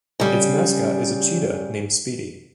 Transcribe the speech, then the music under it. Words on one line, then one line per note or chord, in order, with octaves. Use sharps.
Its mascot is a cheetah named Speedy.
C#3 G3